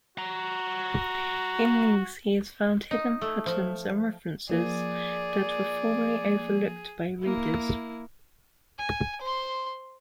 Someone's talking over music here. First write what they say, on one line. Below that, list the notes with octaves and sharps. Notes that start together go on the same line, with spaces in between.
In these, he found hidden patterns and references that were formerly overlooked by readers.
F#4 F#5 A#5
D#4
A3
F3
F3 A#3 G#4 D5
A#3 E4
G#5
C5 C6